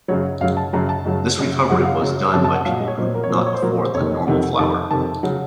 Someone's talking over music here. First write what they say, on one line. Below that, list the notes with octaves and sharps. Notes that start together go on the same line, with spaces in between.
This recovery was done by people who could not afford the "normal" flour.
F#2 C#3 F#3 C#5
F#2 C#3 F#3 F5
A5
F#2 C#3 F#3 A#5
A5
F#2 C#3 F#3
F#2 C#3 F#3
F#2 C#3 F#3 F#5
F5
F#2 C#3 F#3
F#2 C#3 F#3 A5
A5
F#5
A#2 F#3 F5
D#5
C#5
A#2 F#3 C5
A#4
C#5
A#2 F#3 C5
C#5
C5
A#2 F#3 A#4
C5
F2 C3 D#3 C#5
D#5
F2 C3 D#3 F#5
F2 C3 D#3 A5
F2 C3 D#3 A5
C#3 F#3 F#5